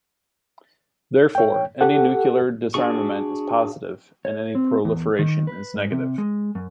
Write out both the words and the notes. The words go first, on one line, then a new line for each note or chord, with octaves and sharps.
Therefore, any nuclear disarmament is positive and any proliferation is negative.
C#5 G5
G4 A4 F#5
D4 F#4 G#4 C#6
C#5
C4
E2
D#3
B4
G#2
C3
G#3
F#2